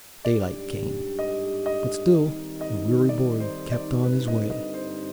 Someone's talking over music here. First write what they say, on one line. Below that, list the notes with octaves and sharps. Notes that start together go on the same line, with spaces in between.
Daylight came, but still the weary boy kept on his way.
G#2 G3 D4 G4 D5
D#5
D#5
D#3 G3 C4 D#4
D#5
D5
C5
D5
G2 D3 G3 C4 D#4 B4
D#5
D#5
C5